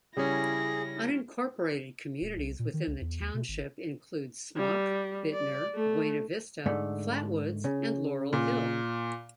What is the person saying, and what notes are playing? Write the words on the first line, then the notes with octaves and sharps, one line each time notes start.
Unincorporated communities within the township include Smock, Bitner, Buena Vista, Flatwoods, and Laurel Hill.
C#3 G3 C#4 E4 G#4 A#6
D#1
C2
A#2
D#3
C#2
E2
D#2
B2
G#1
G3
D5
A3
G#2 D3 A3
C#3
A#2